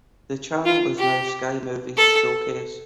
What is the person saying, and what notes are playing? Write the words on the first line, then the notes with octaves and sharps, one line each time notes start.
The channel is now Sky Movies Showcase.
F4
G4
A4